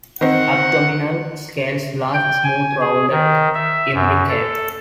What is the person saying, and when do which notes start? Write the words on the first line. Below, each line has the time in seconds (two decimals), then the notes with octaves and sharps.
Abdominal scales large, smooth, rounded, imbricate.
0.21 D#3 C4 F#5
2.14 G5
2.44 G#5
2.81 G#4
3.11 D#3
3.54 E5
3.94 F#2
4.29 A4